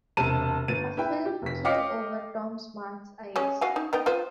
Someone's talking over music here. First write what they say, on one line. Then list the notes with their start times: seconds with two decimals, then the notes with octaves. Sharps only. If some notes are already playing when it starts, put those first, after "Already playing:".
A film came over Tom Smart’s eyes.
0.17 E1 C3 A5 D#7
0.68 G1 A6 D#7
0.97 E4 B4 G5
1.25 G4
1.42 F1 B6
1.65 D#5 F5 G5 D6 B6 C#7
3.36 G#3 C#4
3.61 F#4 F5 G#5
3.76 D#4
3.93 B3 D#4 G5
4.06 F4 B4 C5